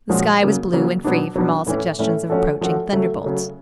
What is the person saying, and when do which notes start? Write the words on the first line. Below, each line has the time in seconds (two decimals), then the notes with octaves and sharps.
The sky was blue and free from all suggestions of approaching thunderbolts.
0.09 A#2 F3 G#3 C#4 F#4
0.41 C#3 F#3 A#3
0.72 C#3 F#3 A#3
1.04 B2 F#3 B3 D4
1.35 B2 F#3 B3 D4
1.66 A2 E3 A3 C#4 E4
1.99 A2 E3 A3 C#4 E4
2.30 F3 A3 C#4 F#4 A4
2.61 F3 A3 C#4 F#4 A4
2.93 C#3 F#3 A3
3.24 C#3 F#3 A3